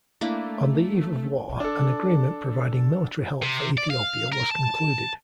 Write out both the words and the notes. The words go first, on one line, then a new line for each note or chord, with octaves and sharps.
On the eve of war, an agreement providing military help for Ethiopia was concluded.
A3 A#3 D4 E4
D4 A4
C3
D5
F5
A#4
A5